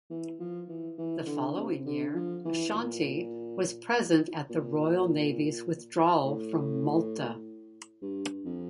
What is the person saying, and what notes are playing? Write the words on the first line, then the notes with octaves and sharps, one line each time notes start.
The following year "Ashanti" was present at the Royal Navy's withdrawal from Malta.
E3
F3
E3
E3
D3
C3
D3
F3
E3
A#2
A#2
A2
G2
F2